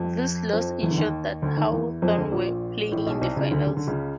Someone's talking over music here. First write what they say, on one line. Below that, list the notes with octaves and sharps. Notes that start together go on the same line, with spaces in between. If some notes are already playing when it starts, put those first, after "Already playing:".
This loss ensured that Hawthorn were playing in the finals.
Already playing: F2 F3
F2 F3
E2 E3
D3
D#2 D#3
D2 D3
D#2 D#3
E2 E3
F2 F3
D2 D3
A#1 A#2
A1 A2
B1 B2
C2 C3
C#2 C#3
D2 D3
C#3
D3
C#2 C#3